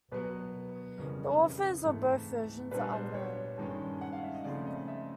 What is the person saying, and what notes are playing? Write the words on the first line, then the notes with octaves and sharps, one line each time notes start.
The authors of both versions are unknown.
B2 F#3 B3 B4
F2 C#3 E3 G3 A#4
G#2 E3 A3 C4 D#4
A#2 G3 B3 D4 B4
C5
C#5
G2 D#3 G#3 C#4
F#5
F5
E5
D#5
C#3 F3 A3 C4 F4 D5
D#5
E5